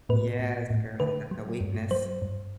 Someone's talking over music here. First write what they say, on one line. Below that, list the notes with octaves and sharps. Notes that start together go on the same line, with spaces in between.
Yes, girl, that's a weakness.
A2 B4
A2
A2
D3 B4
F#3
G2
F#3 C5
G2